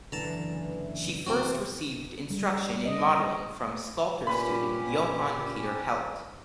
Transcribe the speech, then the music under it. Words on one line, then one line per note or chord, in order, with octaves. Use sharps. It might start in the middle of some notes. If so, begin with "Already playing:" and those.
She first received instruction in modeling from sculptor student Johan Peter Heldt.
F#1 D3 E3 A5 A#5
F#1 E2 C3 C4 F#4
G3
D#5
A#2 C#4 G4 B4 B5